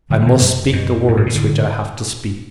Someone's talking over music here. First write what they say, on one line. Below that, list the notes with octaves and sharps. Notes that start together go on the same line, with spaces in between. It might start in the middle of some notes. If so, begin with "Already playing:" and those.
I must speak the words which I have to speak.
D3 F#3
F#3
B2 E3
F#2
F#2 B2
F#2
A2
B2
A2 D3